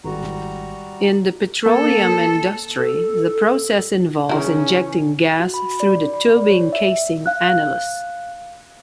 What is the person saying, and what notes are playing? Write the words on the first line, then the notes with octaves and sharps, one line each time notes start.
In the petroleum industry, the process involves injecting gas through the tubing-casing annulus.
G#1 G3 F#4 A#5
A#3 A4
A4
C#3 E3 C#4 D#4 E4 G#4 A#4
F#4
B5
D5
B5
D5
C#5
E5
F5 F#6